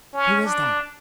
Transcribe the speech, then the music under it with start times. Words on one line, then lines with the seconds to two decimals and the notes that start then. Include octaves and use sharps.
"Who is that?"
0.13 C#4
0.44 D4